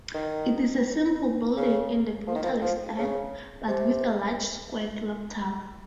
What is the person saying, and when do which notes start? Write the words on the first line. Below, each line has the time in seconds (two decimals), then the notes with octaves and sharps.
It is a simple building in the brutalist style, with a large square clocktower.
0.14 D#3
1.56 C#3
2.27 F3
2.35 D#3
2.43 F3
2.61 F3
2.98 C#3
3.68 C3